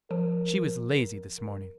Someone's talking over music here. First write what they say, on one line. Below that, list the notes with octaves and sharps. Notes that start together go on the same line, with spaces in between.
"She was lazy this morning!"
F3 A#4